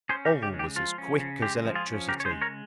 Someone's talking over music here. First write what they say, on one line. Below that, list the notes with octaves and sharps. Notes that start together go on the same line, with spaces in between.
All was as quick as electricity.
C#4 G#4 C5
G4 A#4
C#3
G4
G#3
G4
F3 F4
C#4
C#3
G#3 G4
F3
F4 G#4
C#4
C#3 G4 A#4
C#5
G#4 C5
G#3
A#4 C#5